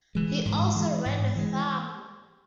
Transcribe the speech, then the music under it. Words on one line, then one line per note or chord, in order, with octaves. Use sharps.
He also ran a farm.
E3 G#3
G#2
E3 G#3
G#2
E3 G#3